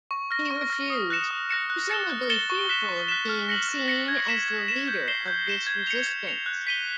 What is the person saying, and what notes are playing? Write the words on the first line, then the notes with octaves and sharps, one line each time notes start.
He refused, presumably fearful of being seen as the leader of this resistance.
C#6
F6 A#6
C#6
F6 A#6
D#6
F#6 A#6 C#7 E7
D#6
F#6 A#6 C#7 E7
F#6
A6 C#7 E7 G7
F#6
A6 C#7 E7 G7
C#6
F#6 B6 E7
C#6
F#6 B6 E7
F6
A#6 C#7 F#7
F6
A#6 C#7 F#7
G#6
B6 E7
G#6
B6 E7
G6
C7 E7 G7
G6
C7 E7 G7
G#6
C#7 F7
G#6
C#7 F7
F#6
B6 D#7 G7